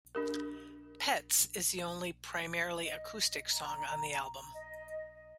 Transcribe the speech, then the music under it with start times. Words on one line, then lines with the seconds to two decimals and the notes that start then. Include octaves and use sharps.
"Pets" is the only primarily acoustic song on the album.
0.15 D4 G4 A#4
2.81 D#5
3.51 A#5
4.53 D#5